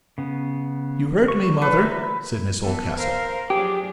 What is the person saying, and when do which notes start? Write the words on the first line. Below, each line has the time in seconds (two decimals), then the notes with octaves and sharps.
"You hurt me, mother," said Miss Oldcastle.
0.18 C#3 B3
1.28 G3 C#6
1.62 A4 B4
1.79 A#4 C5 E5
2.63 E3 B3 A4 B4
2.98 A#4 C5 F5
3.50 F3 F#3 D4 G4 G#4